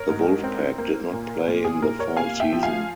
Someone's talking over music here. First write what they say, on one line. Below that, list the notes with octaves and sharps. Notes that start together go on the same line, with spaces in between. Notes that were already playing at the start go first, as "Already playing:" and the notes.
The Wolfpack did not play in the fall season.
Already playing: A#4 C#5
G#2
C4
A#3
A#2
A#2
G#4
A#2 A#4
A#4 C#5
C3 F5 G#5
E5 G5
F3
F5 G#5